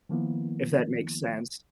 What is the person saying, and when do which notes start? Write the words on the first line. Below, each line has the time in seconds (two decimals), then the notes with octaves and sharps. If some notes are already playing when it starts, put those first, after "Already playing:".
if that makes sense.
0.09 D#3 F3 A#3 B3 E4